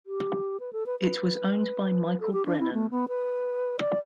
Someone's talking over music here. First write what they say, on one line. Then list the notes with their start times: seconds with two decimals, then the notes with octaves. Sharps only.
It was owned by Michael Brennan.
0.06 G4
0.60 B4
0.73 A4
0.86 B4
1.00 B4
2.20 A4
2.33 G4
2.46 D4
2.60 E4
2.73 A3
2.90 B3
3.08 B4
3.79 D5